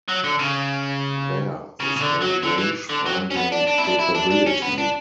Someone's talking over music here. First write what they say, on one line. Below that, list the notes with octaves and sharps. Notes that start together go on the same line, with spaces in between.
There is no range-finding capability.
F#3
D3
C#3
C#3
C#3
D3
F#3
D3
E3
D3
F#3
C#4
B3
D4
D4
E4
D4
E4
D4
D4
C#4
B3
D4